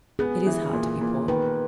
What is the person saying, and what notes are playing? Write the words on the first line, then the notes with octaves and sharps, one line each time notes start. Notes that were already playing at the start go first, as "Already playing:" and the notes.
It is hard to be poor.
B3 G#4
E3
A#2
A#2
D#3 B4